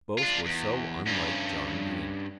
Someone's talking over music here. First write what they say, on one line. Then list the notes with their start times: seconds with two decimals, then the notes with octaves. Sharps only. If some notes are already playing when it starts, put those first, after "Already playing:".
Both were so unlike John Dene.
0.18 D4 F4
0.46 E2
1.07 G2 C#4